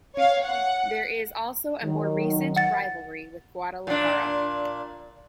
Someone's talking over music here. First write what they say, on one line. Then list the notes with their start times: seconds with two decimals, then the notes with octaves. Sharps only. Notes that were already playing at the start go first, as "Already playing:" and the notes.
There is also a more recent rivalry with Guadalajara.
0.16 C#5 F5
0.45 F#5
1.83 D#3 F#3
2.56 F#5 A6
3.87 A#2 D4